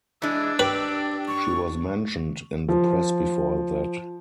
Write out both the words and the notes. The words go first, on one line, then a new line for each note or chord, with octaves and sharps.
She was mentioned in the press before that.
E3 G#3 D4 E6
G4 B4
C#6
F3